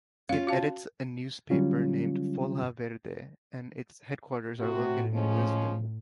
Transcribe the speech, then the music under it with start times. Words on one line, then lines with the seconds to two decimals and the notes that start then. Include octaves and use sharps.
It edits a newspaper named "Folha Verde" and its headquarters are located in Lisbon.
0.29 C#4 F4 F5
0.47 F#4 F5 A5
1.50 D3 F#3 G3 C#4 F4
4.59 A2 C3 F#4
5.13 F3 G#3 C#4